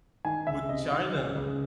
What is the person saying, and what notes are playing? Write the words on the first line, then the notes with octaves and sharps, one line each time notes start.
with China,
D#3 G#5
C#2 E5
C3 D#5
D#3
C#2
C#2